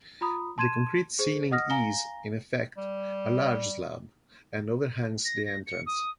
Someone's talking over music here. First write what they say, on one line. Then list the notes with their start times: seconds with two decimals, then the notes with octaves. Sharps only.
The concrete ceiling is, in effect, a large slab, and overhangs the entrance.
0.21 F4 A#5 B5 D#6
0.58 A5 C6 G#6 D#7 E7
1.19 G#4 C5
1.51 D#5 F#5 D#6 F6 A#6
1.70 F5 G#5 A#5 A#6 G7
2.77 G3
5.25 A#6
5.45 A#6
5.66 C#7
5.86 D#6